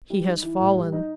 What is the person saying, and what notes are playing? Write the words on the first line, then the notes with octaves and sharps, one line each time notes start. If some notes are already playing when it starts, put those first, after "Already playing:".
He has fallen.
G3
D#4
E3
A2
G3
D#4